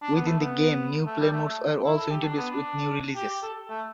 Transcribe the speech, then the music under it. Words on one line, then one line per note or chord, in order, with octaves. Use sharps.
Within the game, new play modes were also introduced with new releases.
D4
B3
A3
B3
A3
G3
A3
A3
E4
A4
G4
D4
B3
D4
G4
G4
A4
A3